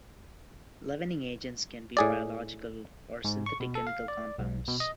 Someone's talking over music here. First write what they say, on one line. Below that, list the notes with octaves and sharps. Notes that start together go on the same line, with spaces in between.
Leavening agents can be biological or synthetic chemical compounds.
A2 G#4 D5
G#2
C#6
B2
A4
F5
D5
B1
B2
D#5